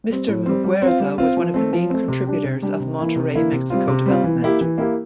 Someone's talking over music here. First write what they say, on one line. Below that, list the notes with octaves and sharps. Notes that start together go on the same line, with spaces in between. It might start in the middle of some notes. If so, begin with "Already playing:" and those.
Mr. Muguerza was one of the main contributors of Monterrey, Mexico development.
G3 C4
A2
G3 C4
G3
C4
F4
G3
C4 F4
F3
A3 C4
F3
A3 C4
C3
G3 D4 G4
C3
G3 D4 G4
C3
E3 A#3 E4
C3
E3 A#3 E4
C3
G3 C4 F4
C3
G3 C4 F4
E3
A#3 E4 G4
E3
A#3 E4 G4